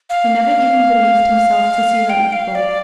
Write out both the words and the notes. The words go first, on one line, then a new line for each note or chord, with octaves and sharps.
He never even believed himself to see her equal.
F5
G5
F5
D5